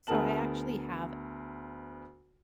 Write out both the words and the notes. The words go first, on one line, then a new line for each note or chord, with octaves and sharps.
So I actually have
D2 B3 G#4 A#4 A5 F#7